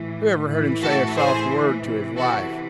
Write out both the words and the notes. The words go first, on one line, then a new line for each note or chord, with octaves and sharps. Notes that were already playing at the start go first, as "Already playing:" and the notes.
Who ever heard him say a soft word to his wife?
Already playing: A2 E3
A2 E3
F#4 A4
G#4 C5
C3 E3
F#4 A4